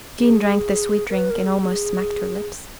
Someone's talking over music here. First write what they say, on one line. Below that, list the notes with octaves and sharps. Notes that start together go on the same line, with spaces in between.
Jean drank the sweet drink and almost smacked her lips.
G#4
A#4
B4
A#4
G#4
G#4